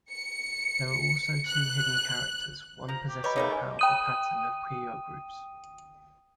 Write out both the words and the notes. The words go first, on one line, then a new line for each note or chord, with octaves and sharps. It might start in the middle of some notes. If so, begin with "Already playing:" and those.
There are also two hidden characters, one possessing a powerful pattern of Puyo groups.
C#7
F#6
F3 A#5
G4
G4 B4 C#5 D#5 B5
C#3 A3 A#3 D#4
D#5 G#5
G5 D#6 D#7